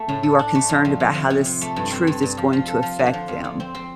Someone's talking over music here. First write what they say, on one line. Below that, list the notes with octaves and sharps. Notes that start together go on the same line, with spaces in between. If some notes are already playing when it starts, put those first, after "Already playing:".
you are concerned about how this truth is going to affect them.
Already playing: A3
A2
A4
D4
A3
F2
F2
F2
C3
C3
C3
A3
G2
C4
G2
G2
F3
F3
A4
F3
D3
F3
F2
F2
C4
C4